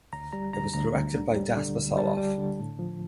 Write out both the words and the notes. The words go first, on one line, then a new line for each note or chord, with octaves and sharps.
It was directed by Jasper Soloff.
D2 A#5
G3 A#5
D2 A#5
D2 A#5
D2
D3
G3
D3
D2
G3 A5
G3
D3
A2
F3